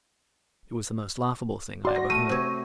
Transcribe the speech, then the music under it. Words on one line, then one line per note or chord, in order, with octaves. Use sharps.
It was the most laughable thing I ever heard.
F#4 D5 C6
A#6
A3 D#7
C3 C#5